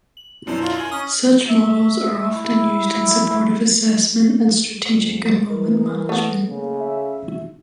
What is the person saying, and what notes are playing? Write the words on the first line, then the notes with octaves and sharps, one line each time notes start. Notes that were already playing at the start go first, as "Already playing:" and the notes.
Such models are often used in support of assessment and strategic enrollment management.
F#7
F#2 B2 C#4 D4 E4 C5
D#3 F4 A#4
G#5 F#7
C#4 D#5 D#6
E5
E4
F2
E3 A#4
A3 B3
C#3 A#3
E5